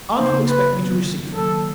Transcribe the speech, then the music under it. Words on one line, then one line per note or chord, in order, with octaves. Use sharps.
Aunt will expect me to receive him.
C#3 F3 A#3 D#4 C5
B4
D#3 F#3 B3
D#3 F#3 A#3 A4